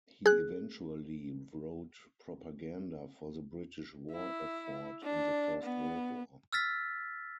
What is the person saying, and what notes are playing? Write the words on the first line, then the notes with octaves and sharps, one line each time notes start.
He eventually wrote propaganda for the British war effort in the First World War.
G#4 F#6
E4
D4
B3
E6 F6 A6 B6